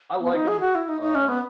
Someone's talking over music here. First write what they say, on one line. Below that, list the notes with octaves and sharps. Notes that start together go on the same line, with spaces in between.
I like 'em. Uh,
B3
D#4
G#4
F#4
E4
D#4
D#4
C#4
B3